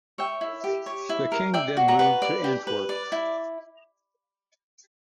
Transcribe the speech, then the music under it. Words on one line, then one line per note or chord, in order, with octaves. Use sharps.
The King then moved to Antwerp.
C#5 E5 G5
E4
G4
C#5
E4
A#4
D5 E5 G5
F#4
F#5 A#5
B4
D5
G4
B4
D5
E4